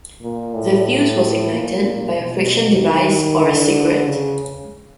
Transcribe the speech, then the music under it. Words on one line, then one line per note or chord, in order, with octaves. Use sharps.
The fuse was ignited by a friction device or a cigarette.
A#2
A2
A#2
B2
D#3
D3
C#3